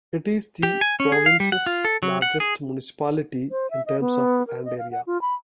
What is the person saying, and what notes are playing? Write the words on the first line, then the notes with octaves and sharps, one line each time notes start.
It is the province's largest municipality in terms of land area.
G4
G#5
C#4
G#4
F5
G3
F#5
F4
A4
F#3
F#5
G#4
C5
E5
D#5
B3
A#4
D#5
F5
F#5
F4
B5